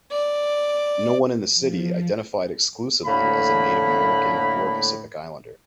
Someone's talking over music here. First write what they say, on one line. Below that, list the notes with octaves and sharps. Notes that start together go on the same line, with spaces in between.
No one in the city identified exclusively as a Native American or Pacific Islander.
D5
F3
A2 D3 A3 A#3 B5